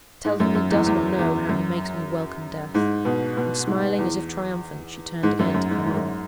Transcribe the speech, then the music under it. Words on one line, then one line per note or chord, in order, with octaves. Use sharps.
'Tell him he does not know how he makes me welcome death.' And smiling, as if triumphant, she turned again to Clement.
G#2
F#2
F#2
E2
E2
E2
F#2
G#2
B2
B2
G#2
E2
G#2
F#2
F#2
G#2
G#2
F#2